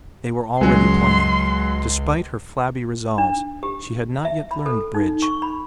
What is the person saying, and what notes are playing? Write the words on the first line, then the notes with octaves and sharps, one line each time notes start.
They were already playing. Despite her flabby resolves she had not yet learned bridge.
C#2 C#3 F#3 G#3 C6
D4
G4
E5
B5
A4
D#4
C#6
B5